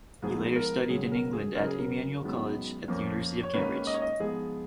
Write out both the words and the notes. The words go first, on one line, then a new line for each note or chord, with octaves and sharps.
He later studied in England at Emmanuel College at the University of Cambridge.
G#2 F3 B3 G#4
A#4
C#2 C#3 F#3 G#4
A#4
G#4
F#1 F#2 C#3 A#4
G#4
A#4
G#1 F#2 D#3 G#3 B3
F2 F3 A#3 C#4
C#5
G#2 D#3 A#3 C#4 B4
D#5
C#5
D#5
G#2 F3 G#3 B3 G#4